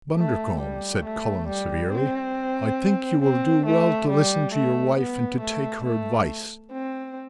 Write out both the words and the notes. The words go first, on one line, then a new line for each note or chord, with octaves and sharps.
Bundercombe," said Cullen severely, "I think you will do well to listen to your wife and to take her advice.
A3
G3
A3
G3
C4
C4
A3
G3
A3
B3
A3
A3
C4